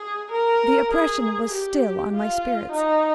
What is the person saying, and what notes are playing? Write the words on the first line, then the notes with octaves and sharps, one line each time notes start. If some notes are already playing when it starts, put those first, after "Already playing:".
The oppression was still on my spirits.
Already playing: G#4
A#4
G#4
G4
F4
D#4